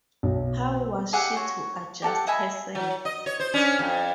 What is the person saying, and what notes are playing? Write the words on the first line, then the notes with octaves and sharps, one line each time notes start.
How was she to adjust herself?
B1
G4 G#4 E5 F#5
F#4 C#5
G4 A4 F#5
D#5 E5 G#5 B5
F#3
D#5
C#5
C5
C#4 D4
F2